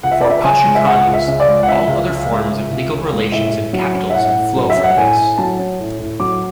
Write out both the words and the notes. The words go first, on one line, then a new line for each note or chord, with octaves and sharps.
For Pashukanis, all other forms of legal relations in capitalism flow from this.
C#2 F#5
E5
C#2 D5
E5
C#3 G#5
G#3
E5
C#2 F#5
C#2
E5
C#3
D5
G#3
F#5
C#2 E5
C#2
C#3
G#3
C#2
C#2
C#3
G#3
A2 E5
A2
F#3
C#4
E5
A2 F#5
A2
F#3
E5
C#4
F#5
A2 G#5
A2
F#3 A5
C#4
A2
A2
F#3 D6